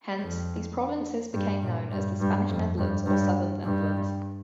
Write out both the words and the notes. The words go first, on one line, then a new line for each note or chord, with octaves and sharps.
Hence, these provinces became known as the Spanish Netherlands or Southern Netherlands.
F2
G2
A#2
G2
G2
F2
G2
G2
G2